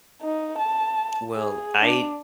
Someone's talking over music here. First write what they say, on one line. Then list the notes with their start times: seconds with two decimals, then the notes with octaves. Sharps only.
Well, I
0.22 D#4
0.58 A5
1.36 G#4
1.82 D4